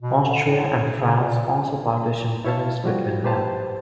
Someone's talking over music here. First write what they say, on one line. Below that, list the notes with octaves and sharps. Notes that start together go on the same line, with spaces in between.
Austria and France also partitioned Venice between them.
B2
D3
A2
C#3
A#2
E4 C#5 E5 F5 A5
F3 G3 F#4
G4 B4 C5 A5